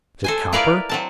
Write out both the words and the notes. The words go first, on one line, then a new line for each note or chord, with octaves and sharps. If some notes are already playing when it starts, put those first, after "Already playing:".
"Is it copper?"
A4 C5 G#5
E4 F4 A#4 B4 D5 F5
F#3 C4 A5